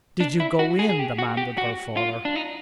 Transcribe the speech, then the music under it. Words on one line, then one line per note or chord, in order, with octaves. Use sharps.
"Did you go in?" demanded her father.
D4
E4
F#4
G#4
G#4
G4
F#4
G4
F#4
F4
D4
D#4